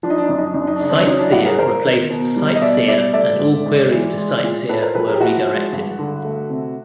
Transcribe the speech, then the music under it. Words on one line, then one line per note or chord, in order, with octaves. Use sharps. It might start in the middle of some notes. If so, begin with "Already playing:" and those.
CiteSeer replaced CiteSeer and all queries to CiteSeer were redirected.
F3 D4
D#4
D4
D#4
F#2 D4
D#4
D4
F#2 D#4
D4
D#4
D4
C#3 D#4
C4 D4
F#3 C#4 D#4
D4 E4
G2 E4 F#4
G#4 A#4
G2 A#4 C5
D#3
B2
G3
D#5
B2 D5 E5
G3 D5 E5
A3 D5 E5
G#2
G#2
E3
G#3
A#2
A#2 A4 B4
A#4 C5
F3 A4 B4
G#4 A#4
G4
F3 E4 F#4
G#3
G2
D3
A3
C3